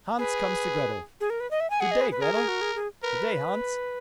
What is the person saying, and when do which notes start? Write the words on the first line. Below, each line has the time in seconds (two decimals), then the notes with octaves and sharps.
Hans comes to Gretel. 'Good day, Gretel.' 'Good day, Hans.
0.18 G#4 B4
1.20 G#4
1.30 A#4
1.40 B4
1.51 D#5
1.60 E5
1.70 G#5
1.80 G#4 F#5
1.91 D#5
2.01 B4
2.11 B4
2.21 G#4 A#4
2.34 G#4
2.48 F#4
2.61 G#4
2.75 G#4
3.02 A#4 B4